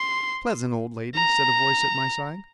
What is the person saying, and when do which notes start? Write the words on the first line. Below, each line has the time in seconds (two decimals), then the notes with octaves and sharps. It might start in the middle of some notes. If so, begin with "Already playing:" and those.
"Pleasant old lady," said a voice at my side.
Already playing: C6
1.16 A#5